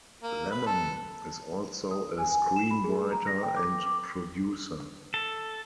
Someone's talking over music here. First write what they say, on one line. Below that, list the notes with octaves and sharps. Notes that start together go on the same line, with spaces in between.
Lemmon is also a screenwriter and producer.
A#3
B4
A4
D#6
G#5
G#5
E7
B5
G#4
A#5
A#6
G5
D6
D6
A4